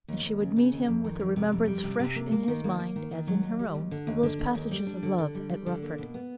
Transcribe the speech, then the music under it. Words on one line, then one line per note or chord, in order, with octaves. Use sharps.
And she would meet him with the remembrance fresh in his mind as in her own of those passages of love at Rufford.
D#2
D#2
C#3
C#3
D#2
F2
D#3
F2
C3
F2
G3
C3
C3
A#3
A#3
D#3
A#3
A#3
D#3
D#3
F#3
D#2
G3
D#2
D3
D#2
D3
D#2
D#2
G3
D4
D3
D3
G3
G3
D3
A#3
B2
B3